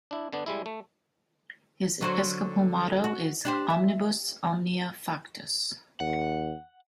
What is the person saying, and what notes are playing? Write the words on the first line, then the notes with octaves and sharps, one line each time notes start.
His episcopal motto is "Omnibus omnia factus".
D4 E4
D3 B3 D4
G3 G#3 E4
A3
D3 F#3 C5
F#4
D4 G4 C5
E5
D#2 F#5